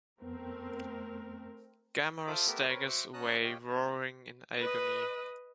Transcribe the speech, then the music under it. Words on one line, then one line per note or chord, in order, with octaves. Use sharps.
Gamera staggers away, roaring in agony.
F2 A3 B3 C4 A#4
F4 A4 C5 E5 D6 D#6
A3 B3 G4 A#4 E5
C4 A#4 B4 C#5
F#4 C5 E5 F#5 D6
C#4 A5 A#5 D#6 F#6
F4 G4 C#5 D#5 G5
B4 D#5